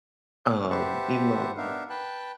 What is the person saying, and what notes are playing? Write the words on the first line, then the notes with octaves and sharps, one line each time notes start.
um, even though I'm not a
G4 B4 C5 E5 F#5 A5
B3 D4 D#4 A#4 E5 F5
B4 G5 A5 F#6